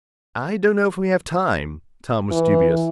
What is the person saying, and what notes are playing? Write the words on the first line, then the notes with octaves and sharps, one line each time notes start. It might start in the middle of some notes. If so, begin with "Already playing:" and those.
"I don't know if we have time." Tom was dubious.
E3